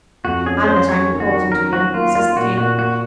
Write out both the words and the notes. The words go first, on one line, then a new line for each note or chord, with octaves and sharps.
"And that I'm beholden to you," says the king.
F2 F#4
C#4 G#4
C#4 C5
C#4 C#5
D#3
F#4
D#3
C#4 A#4
F#3 F#4
A#3 F4
A#3 F4
A#2 F#4
A#2 F#4
A#3 F#4